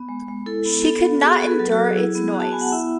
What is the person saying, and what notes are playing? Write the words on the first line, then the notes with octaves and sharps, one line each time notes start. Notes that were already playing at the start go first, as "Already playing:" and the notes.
She could not endure its noise.
Already playing: B3
G#3
G#3
E4 A4
B3
B3 A4
B3
F#4 G#4
B3 A4
B4
F#3 A4
F#4
F#3
G#4
E4
B3
F#4
A5
B3 G#5
F#5
E4 E5